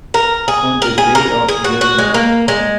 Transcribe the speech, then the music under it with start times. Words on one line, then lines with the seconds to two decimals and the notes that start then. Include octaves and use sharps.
On the Day of Judgment.
0.14 A#4
0.48 G#4
0.82 A#4
0.98 G#4
1.15 A#4
1.48 G#4
1.64 F#4
1.81 F#4
1.99 G#3
2.14 A#3
2.48 G#3